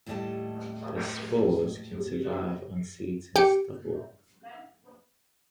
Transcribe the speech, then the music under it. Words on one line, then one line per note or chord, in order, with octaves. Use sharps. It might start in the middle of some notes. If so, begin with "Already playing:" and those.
The spores can survive on seeds and stubble.
D#2 A2 G3 A3 D#5 A5
G4 C#7 D7